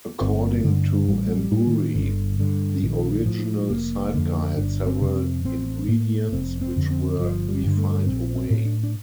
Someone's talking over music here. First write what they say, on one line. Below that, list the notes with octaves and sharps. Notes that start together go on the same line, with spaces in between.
According to Embury, the original sidecar had several ingredients, which were "refined away".
G1 C4
G2 D3
A1 G3
A3
G3
A2
D#3
G1 D3
G2 D3
A#1 D#3
A2 F3
F1 A#3
F2 D3 A#3
G1 D4
C4
F2 C3
C4
A1 C4
A2 A#3
F1 C4
C4
F2 D3
C4
G1 F3
G3
G2 D3
A3
A#1 C4
C4
A2
D4
D4